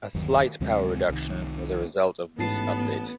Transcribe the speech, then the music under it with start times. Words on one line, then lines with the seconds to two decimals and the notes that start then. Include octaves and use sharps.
A slight power reduction was a result of this update.
0.15 G1 D#2 D#3 F#3
0.61 D2 C3 F#3 G#3
1.09 C2 D#3
2.39 A1 G#2 B3 A5 C7